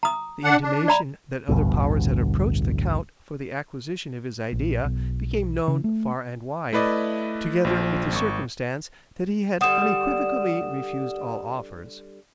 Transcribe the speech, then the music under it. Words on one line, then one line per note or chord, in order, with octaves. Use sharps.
The intimation that other Powers had approached the Count for the acquisition of his idea became known far and wide, together with the circumstance that he had unequivocally refused all offers.
A#5 D#6
D4 F#5
D4
D5 A#5 B5
A1 D2 G2 B2
A#1
B1
C#3
A3
A3 E4 B4 D5 D#5
A#1 F3
G#1 C#6
D3 G3 F#5 D#6 E7